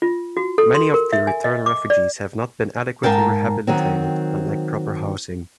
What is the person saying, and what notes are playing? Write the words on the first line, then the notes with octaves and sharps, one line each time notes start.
Many of the return refugees have not been adequately rehabilitated and lack proper housing.
F4
F#4
A4
C6
A#4
E5
G#5
D#5
D6
D5
G#2 A#4 F5 G5 A5
D#3 F#3 C4